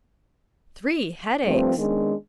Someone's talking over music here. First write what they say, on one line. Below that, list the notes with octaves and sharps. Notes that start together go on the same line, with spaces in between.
"Three headaches!"
G2 F3 A3 C4
D#3 G#3 B3 C#4 D4